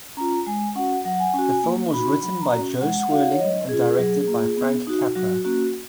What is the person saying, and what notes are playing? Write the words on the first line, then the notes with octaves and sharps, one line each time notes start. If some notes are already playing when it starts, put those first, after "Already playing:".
The film was written by Jo Swerling and directed by Frank Capra.
C#4 F4 A#5
G#3 G#5
C#4 F#4 F#5
F#3 F#5
F#5
G#5
C#4 F#4 G#5
G#5
A#3
D#4 F#4 B5
F#3 B5
A#5
F#4
C#4
G#3 F#5
F#5
D#4 F#4 F5
F#5
C#5
F#3 D#5
C#4 F4 G#4
F#3
A#3 F4
B3
D#4 F#4
F#3 F#4
A#3 C#4 F#4